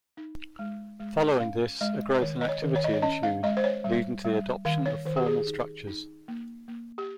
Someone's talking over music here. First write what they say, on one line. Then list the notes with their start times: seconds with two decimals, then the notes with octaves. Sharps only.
Following this a growth in activity ensued, leading to the adoption of formal structures.
0.17 D#4
0.59 G#3
1.00 G#3
1.40 C#4 F5
1.81 G#3 D#5
2.21 D#3 C#5
2.41 D#5
2.49 C#5
2.62 D#3
2.76 C#5
2.84 D#5
2.93 C#5
3.02 C#4 D#5
3.23 F5
3.43 G#3 D#5
3.57 C5
3.64 C#5
3.84 G3
4.25 G3
4.65 D#3 F5
4.86 C#5
5.06 D#3 C5
5.16 G4
5.26 G#4
5.47 D#4
5.87 D#4
6.28 A#3
6.68 A#3
6.98 G4